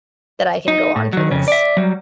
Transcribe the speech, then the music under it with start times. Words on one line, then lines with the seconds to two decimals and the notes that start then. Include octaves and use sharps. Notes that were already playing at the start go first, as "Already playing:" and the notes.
that I can go on for this.
0.68 D#4
0.96 A2
1.13 D#3 F#3
1.31 F2 C#3
1.48 D5 E5
1.77 F#3 G3